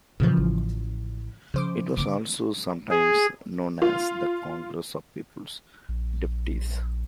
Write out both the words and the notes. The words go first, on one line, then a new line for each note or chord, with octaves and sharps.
It was also sometimes known as the Congress of People's Deputies.
A#2 C#3 E3 F3 G3
A1
C#3 F3 C5 D6
D3 C4 D6
G#4
F4
A#1